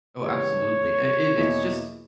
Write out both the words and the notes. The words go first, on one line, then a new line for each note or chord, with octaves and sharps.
Oh, absolutely, it it it's just
C#3 E3 G#3 B3 G4 C#5
E2 B2 A#3 E4 G#4